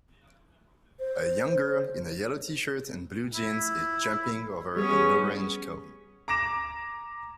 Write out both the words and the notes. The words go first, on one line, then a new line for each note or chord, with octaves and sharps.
A young girl in a yellow tshirt and blue jeans is jumping over an orange cone.
C5
E4
G3 B3 C#4 G#4 C#5
A#5 D6 A#6 E7